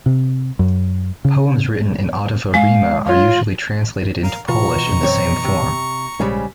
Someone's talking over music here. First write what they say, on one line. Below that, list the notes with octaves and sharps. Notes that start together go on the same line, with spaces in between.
Poems written in ottava rima are usually translated into Polish in the same form.
C3
F#2
C#3
G#3 F5
F4 C#5
A#4 F5
B2 E3 F4 A#5 C#6
F#2 C4 C#5
C3
A#1 G#2 C#3 G3 G#3